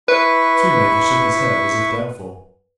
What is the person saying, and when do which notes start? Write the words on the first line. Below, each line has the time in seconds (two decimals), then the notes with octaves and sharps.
The shoemaker shook his head as if doubtful.
0.08 E4 B4 B5 C#6